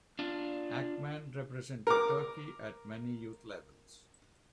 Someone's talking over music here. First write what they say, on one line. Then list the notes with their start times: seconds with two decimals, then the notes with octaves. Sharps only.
Akman represented Turkey at many youth levels.
0.19 D4 F4
1.87 A#4 D6